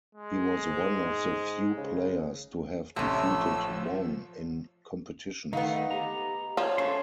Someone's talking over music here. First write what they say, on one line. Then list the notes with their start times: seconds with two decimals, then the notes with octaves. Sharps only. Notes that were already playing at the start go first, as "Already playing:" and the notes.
He was one of the few players to have defeated Wong in competitions.
0.15 G#3
0.67 G#2
1.77 C#3
2.96 A1 C3 F3 A3 C#4 E5 E6
5.53 D#3 A3 B3 D#4 F5
5.91 G4 A#5
6.57 F3 C#5
6.78 A3 C#4 A5 C6